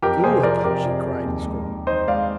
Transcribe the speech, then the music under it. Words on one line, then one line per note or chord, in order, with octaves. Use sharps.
"Do with them!" she cried in scorn.
F2 G4 A#4
C3 G#4 C5
F2 A#4 D5
C3 G4 A#4
F2
F2
D#2
G#3
D#2
D#4 C5 D#5
G#3 D5 F5